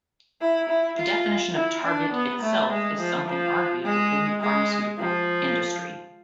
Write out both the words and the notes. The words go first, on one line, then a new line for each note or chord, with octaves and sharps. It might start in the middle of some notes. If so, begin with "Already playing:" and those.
The definition of "target" itself is something argued within the pharmaceutical industry.
E4
E4
F4
E4
D4
B3
A3
G#3
F3
F3
G#3
G#3
F3